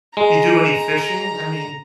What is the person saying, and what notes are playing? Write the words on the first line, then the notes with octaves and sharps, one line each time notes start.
you do any fishing? I mean
G#3 A#5